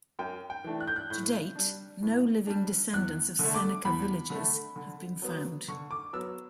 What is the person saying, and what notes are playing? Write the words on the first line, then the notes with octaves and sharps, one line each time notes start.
To date, no living descendants of Seneca Villagers have been found.
F#2 G5
G5
E3 A3 D4
F#6
G6
F#6
A2 G6
G3 D4
A2
G3 D4
E2 F#6
D3
A3
D6
E2 B5
D3 A3
D3
F#3 B3
D3 C#6
D6
F#3 B3 E6